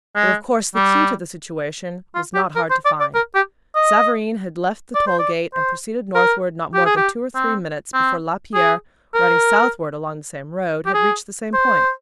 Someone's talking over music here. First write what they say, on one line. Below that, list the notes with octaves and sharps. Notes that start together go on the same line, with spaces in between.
Well, of course, the key to the situation was not hard to find. Savareen had left the toll-gate and proceeded northward not more than two or three minutes before Lapierre, riding southward along the same road, had reached the same point.
G#3
G3
F4
G4
A#4
C5
D5
D5
A#4
G4
D#5
D5
C5
D5
C5
A#4
G4
G#4
G4
C4
C4
G#4
A#4
G4
G#4
C5